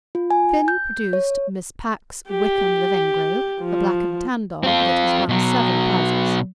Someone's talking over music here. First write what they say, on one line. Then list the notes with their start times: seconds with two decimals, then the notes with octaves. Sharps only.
Finn produced Miss Packe's Wickham Lavengro, a black and tan dog that has won several prizes.
0.15 F4
0.31 G#5
0.68 G6
1.13 C#5
2.29 G4
3.61 F3
4.63 C4 F4
5.29 B2 F#3